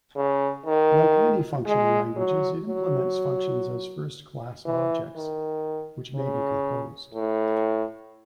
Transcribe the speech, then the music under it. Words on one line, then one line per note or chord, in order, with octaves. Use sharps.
Like many functional languages, it implements functions as first-class objects, which may be composed.
C#3
D#3
G#3
F#3
F#3
E3
D#3
C#3
A2